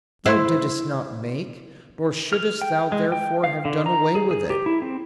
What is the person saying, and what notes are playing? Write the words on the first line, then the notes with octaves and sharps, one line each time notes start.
Thou didst not make, nor shouldst thou therefore have done away with it.
E4 C5
F6
G5
G#3
G5
F5
D3
A#5
G#4
G#4
G4
E4
C4